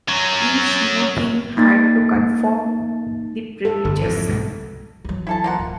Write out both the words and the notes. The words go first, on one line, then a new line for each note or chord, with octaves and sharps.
Each new king had to confirm the privileges.
F#3 C#4
A#3 D#4 A6
A4
G1
F2 G#2 E3
C2 G#2 B2
E3 F#3
E4 A4 A5
A#3 F4 F#5
D1